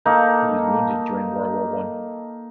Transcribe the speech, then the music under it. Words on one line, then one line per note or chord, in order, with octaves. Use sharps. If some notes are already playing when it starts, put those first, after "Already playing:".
He was wounded during World War One.
A#3 D#4 A4